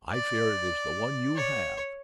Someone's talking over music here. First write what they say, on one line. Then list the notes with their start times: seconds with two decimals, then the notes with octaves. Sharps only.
I fear it is the one you have.
0.12 D5
1.36 C#5